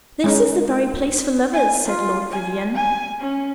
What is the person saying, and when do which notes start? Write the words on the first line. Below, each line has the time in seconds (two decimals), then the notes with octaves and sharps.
"This is the very place for lovers," said Lord Vivianne.
0.24 G#3 C#4 D#4
1.53 G#5
1.85 F4
2.32 G#5
2.75 G#5
3.20 C#4